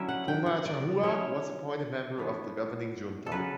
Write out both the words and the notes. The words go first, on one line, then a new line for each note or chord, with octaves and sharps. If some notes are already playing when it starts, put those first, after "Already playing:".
Pumacahua was appointed member of the governing junta.
Already playing: D3 F#3 C#4 E4 E5
F#5
G5
F#5
D5
F#3 C#4 E4 C#5
E3 B3 D4
A4
C#3 F#3 C#4 B4